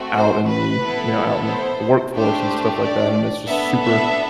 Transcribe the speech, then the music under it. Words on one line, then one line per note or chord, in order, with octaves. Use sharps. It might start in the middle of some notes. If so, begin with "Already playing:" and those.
out in the, you know, out in the workforce and stuff like that, and it's just super
Already playing: A3 C4 F#4
C5
B4
B3 E4 A4
C5
A3 D4 G4 C5
D5
B3 D4 A4 E5
E5